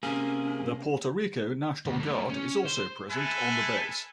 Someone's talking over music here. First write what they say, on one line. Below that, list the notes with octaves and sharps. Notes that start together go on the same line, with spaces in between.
The Puerto Rico National Guard is also present on the base.
C3 A#3 C#4 G#4
D2
A3 A#3
C#4
C5
G#3 A4 B4 E5 G#5